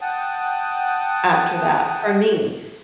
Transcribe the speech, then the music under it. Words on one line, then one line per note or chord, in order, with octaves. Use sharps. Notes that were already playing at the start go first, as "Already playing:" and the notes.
after that, for me.
F#5 G5 A5 D#6